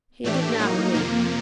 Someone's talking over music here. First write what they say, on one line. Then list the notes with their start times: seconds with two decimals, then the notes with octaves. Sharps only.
He did not win.
0.24 A2 E3 A3 D4 G4
0.59 A2 F#3 A#3 D#4
0.94 F2 C3 F3 A#3